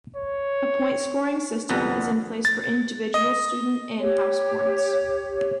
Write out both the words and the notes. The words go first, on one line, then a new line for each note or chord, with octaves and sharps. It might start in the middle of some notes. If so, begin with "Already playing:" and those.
A point scoring system is in place for individual student and House points.
C#5
C2 F2 D3 B3 F#5 A#5
A6
D#5
G4 C#5